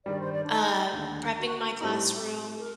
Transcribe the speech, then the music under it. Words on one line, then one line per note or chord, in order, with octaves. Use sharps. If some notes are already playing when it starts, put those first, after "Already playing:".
uh, prepping my classroom,
G2 D#3 G3 D5
C5
D5
D4
D#4
D#2 D3 A3
F#4
A2 G3 C4 D#4 G4
A#4